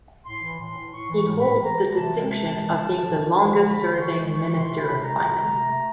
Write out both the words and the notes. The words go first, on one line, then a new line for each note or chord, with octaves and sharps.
He holds the distinction of being the longest serving Minister of Finance.
A2 C6
E3
A2 C6
A2
A2 C#6
E3
C#6
A2
B5
A2
E3 A#5
E3
A#5
C3 A5
G#3
C3 A5
G#3
C#4
C3
D3
F#2
F3
D3
F3 B5
D3
C6
F3 C#6
G#3
G#3 C#6
D#3 C#6
C6
C3
C3 B5
G#3 A#5
C3
D#3
C3
A3